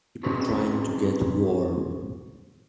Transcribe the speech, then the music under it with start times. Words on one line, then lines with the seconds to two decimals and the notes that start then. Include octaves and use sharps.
People trying to get warm.
0.23 C4 C#4 F#4 G#4 B4